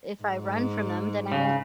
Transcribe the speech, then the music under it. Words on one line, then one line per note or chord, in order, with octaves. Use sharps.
if I run from them, then I won't
G#2
C#3